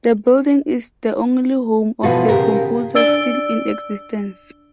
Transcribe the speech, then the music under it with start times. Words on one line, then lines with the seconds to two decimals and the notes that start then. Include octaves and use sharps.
The building is the only home of the composer still in existence.
2.03 B2 E3 F3 F4 F#4 A4
2.29 C#3 G4 A#4
2.95 D4 D5 E6 A6 D7 G7